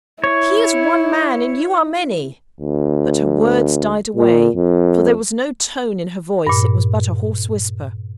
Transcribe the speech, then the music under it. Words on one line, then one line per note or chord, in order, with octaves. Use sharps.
He is one man, and you are many; but her words died away, for there was no tone in her voice; it was but a hoarse whisper.
E4 C#5
D2
A#2
F2
G2 A#2